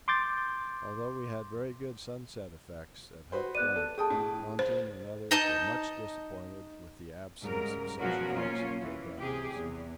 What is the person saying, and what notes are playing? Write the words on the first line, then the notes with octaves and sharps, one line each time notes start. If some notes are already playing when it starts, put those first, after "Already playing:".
Although we had very good sunset effects at Hut Point, Ponting and others were much disappointed with the absence of such effects at Cape Evans.
C6 D6 G6 A6
F#4 B4 C5
B3 D5 F#6 D#7
A4
G#4 G5 A5 D#6
A2
C5
D#4 D#5 A5 G6
G#2 C#3 G3 A#4
B2 F3 F#3 C#4 F#4 A#4
A#3 C#4 F4
E3
C3 G4 G#4
E2